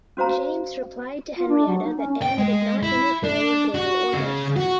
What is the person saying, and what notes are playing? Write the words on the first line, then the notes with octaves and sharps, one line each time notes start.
James replied to Henrietta that Anne would not interfere with royal orders.
C#4 F#4 C5 F5 A#5
F4
D4
F#3
D#4
C#4
G5
G#3
E4
D4
F#4
C#3
F#4